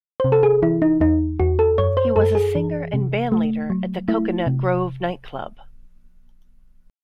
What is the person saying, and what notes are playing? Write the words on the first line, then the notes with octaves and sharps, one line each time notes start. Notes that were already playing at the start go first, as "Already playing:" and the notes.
He was a singer and bandleader at the Cocoanut Grove night club.
C3 C5
A4
G#4
E3 E4
D#4
E2 D#4
E2 F#4
A4
F#2 C#5
C5
F#2 A4
G#4
E3
C3
A3
F#3
A3 E4
C3